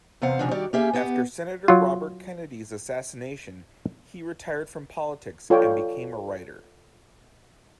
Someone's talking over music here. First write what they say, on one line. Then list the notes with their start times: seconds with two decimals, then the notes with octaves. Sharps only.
After Senator Robert Kennedy's assassination he retired from politics and became a writer.
0.22 E2 C3 C5 F5 F#5
0.39 C3 D#3 F3 C#4 D4
0.51 D#3 G3 F#4 G4 D5
0.73 A#3 C#4 G4 G#4 E5
0.93 B3 G4 F#5
1.68 F#3 F4
5.50 F4 A4 C#5 D5 G5